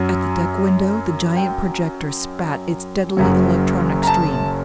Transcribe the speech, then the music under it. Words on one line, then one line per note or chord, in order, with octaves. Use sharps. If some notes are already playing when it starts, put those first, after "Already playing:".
At the deck window the giant projector spat its deadly electronic stream.
Already playing: F#2 F#3
G5
F#1 F#2 F#3
A#5
A5